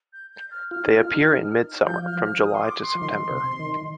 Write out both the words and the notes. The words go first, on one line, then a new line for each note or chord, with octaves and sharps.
They appear in mid-summer, from July to September.
G6
G6
F6
F4 F6
D#4
F4
D#4
F3 G6
F6
F6
D#6
C6
D6
C6
F3
D#3 C6
C3
D#3